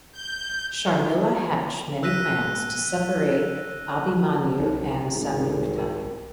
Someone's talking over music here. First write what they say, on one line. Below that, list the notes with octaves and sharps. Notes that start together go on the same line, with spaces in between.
Sharmila hatch many plans to separate Abhimanyu and Samyukta.
G6
E6 F#6 A#6 B6 D#7
C2 D#4 C5
G#1
A#4